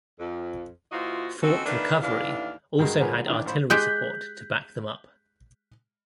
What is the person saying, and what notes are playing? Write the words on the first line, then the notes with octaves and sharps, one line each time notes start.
Fort Recovery also had artillery support to back them up.
F2
A#2 E3 F4 F#4 C5 D#5
C4 C#4 D#4 F#4 A4
D#3 A3 B3 D4 F4 B4
D#2 A2 E3 D4 F5
G2 D#3 G#3 F#4 A#4
D3 F3 G#4 A#4 B4 C#5
D#3 E3 D4
A1 C5 B5
G#3 G4 G#4 F#6 G6 B6